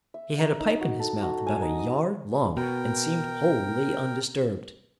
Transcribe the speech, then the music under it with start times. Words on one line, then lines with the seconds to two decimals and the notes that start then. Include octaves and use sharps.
He had a pipe in his mouth about a yard long, and seemed wholly undisturbed.
0.14 E5
0.39 A#4
0.60 D#4
0.81 F#4
1.00 A4
1.23 F#4
1.47 G#5
1.62 D#4
1.79 D#6
2.57 B2 A#4 G5